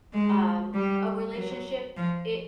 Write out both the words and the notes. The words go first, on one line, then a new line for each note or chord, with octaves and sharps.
um, a relationship, it
G#3
G3
F#3
F3